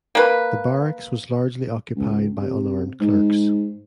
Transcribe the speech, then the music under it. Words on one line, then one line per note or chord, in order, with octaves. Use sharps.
The Barracks was largely occupied by unarmed clerks.
A#3 B4
C#2
C3
G#2